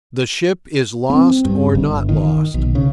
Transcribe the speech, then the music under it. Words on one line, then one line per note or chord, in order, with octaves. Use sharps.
The ship is lost or not lost.
C4
G2
G1
D#3
B1
C#3